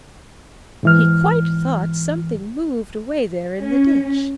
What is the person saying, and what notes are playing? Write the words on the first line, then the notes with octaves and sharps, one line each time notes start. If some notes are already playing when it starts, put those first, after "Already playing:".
He quite thought something moved away there in the ditch.
G#2 E3 F6
C#4